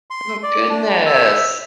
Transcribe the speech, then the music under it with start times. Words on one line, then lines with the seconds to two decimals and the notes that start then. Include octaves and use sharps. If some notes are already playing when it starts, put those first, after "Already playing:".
Oh, goodness.
0.10 C6
0.43 D5
0.70 D4
1.06 E5